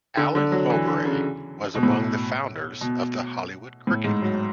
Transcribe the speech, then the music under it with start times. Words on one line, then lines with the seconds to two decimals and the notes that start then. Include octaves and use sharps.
Alan Mowbray was among the founders of the Hollywood Cricket Club.
0.17 D3
0.35 D3
0.52 F#3
0.70 E3
0.87 D3
1.05 C#3
1.75 B2
1.83 A2
1.92 B2
2.81 B2
3.87 A2
4.04 G#2
4.22 F#3